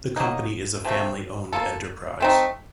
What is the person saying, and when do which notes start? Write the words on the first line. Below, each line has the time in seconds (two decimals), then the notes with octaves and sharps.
The company is a family-owned enterprise.
0.16 F#3 A#3 D#4
0.85 C3 F3 A3 C4
1.53 A#3 F4 A4
2.20 A3 C4 D#4